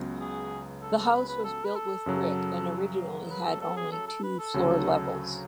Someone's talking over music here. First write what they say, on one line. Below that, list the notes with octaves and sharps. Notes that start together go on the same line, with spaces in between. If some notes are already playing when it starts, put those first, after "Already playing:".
The house was built with brick and originally had only two floor levels.
Already playing: C#2 C#3 F#3 B3
G#4
A4
A4
B4
B4
A4
B4
A4
F#2 C#3 F#3
B4
A4
A4
G#4
A4
A4
B4
A4
D2 C#3 F#3